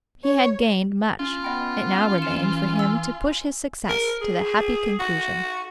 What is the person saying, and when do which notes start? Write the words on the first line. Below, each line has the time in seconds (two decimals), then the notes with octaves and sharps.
He had gained much; it now remained for him to push his success to the happy conclusion.
0.24 C#5
1.19 C#4 F4
1.42 B3 D#5 G5 B5
2.18 E3 C#7 E7
2.76 G#5 E6
3.89 A#4
4.22 G#4
5.00 F#4